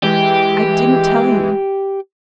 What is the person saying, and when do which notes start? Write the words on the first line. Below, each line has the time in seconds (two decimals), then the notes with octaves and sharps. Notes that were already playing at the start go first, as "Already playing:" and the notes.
I didn't tell you.
0.03 E3 G#3 G4